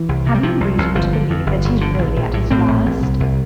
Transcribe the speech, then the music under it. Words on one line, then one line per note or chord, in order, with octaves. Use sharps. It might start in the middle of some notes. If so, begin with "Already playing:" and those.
"Have you reason to believe that he's really at his last?"
Already playing: E3
C2
C3
G3
C3 F3
C2
C2
G1 F3
D3
F2
G1
G1
D3
A#1
A#1
A2
A2 C4
A#1
A#1
C2
C2